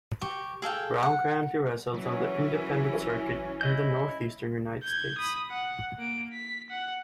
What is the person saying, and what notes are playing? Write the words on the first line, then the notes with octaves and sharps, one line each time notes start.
Brown currently wrestles on the Independent circuit in the Northeastern United States.
G4 C#6
G#4 A4 F5 G5
F#5
E3 F#3 C#4
E4 D#5 G6
G6 G#6
B5 D#6
F#5
A#3 D7
B6
F#5